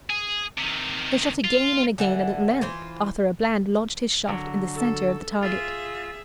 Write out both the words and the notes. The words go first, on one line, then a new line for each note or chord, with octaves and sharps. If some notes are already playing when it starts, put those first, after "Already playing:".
They shot again and again, and at length Arthur-a-Bland lodged his shaft in the center of the target.
G#4
C3 D#3
F4
D3 E3 F#5
E3 F4 C5
D3 F#3
A4
F4 G#4 E5